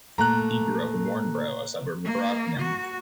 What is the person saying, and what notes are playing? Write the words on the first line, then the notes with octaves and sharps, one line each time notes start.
He grew up in Warnbro, a suburb of Rockingham.
A#2 A3 A#3 A#5 F#6
A#3
F#4